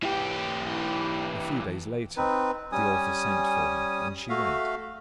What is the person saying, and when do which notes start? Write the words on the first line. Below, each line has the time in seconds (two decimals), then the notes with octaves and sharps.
A few days later the author sent for her, and she went.
0.03 E3 G4
2.16 C4 D#4 B4
2.72 G3 C#4 G#5 D#6
4.29 A3 F#4 E5 F5